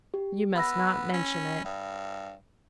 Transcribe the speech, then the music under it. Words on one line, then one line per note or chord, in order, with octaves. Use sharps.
You must not mention it.
G4
B3 B5 E6 A#6
C#4
G2